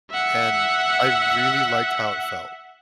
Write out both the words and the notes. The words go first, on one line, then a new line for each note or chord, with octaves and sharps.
and I really liked how it felt.
E5 F#5